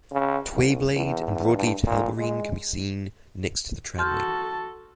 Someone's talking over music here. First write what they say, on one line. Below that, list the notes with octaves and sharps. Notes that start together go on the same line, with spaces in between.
Twayblade and broadleaved helleborine can be seen next to the tramway.
C#3
C2
E2
G2
A#2
G#3
F#4 A4 A5 C6 F6 G6